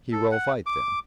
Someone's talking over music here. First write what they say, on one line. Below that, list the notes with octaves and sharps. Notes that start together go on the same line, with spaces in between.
"He will fight, then?"
A4
F#5
D6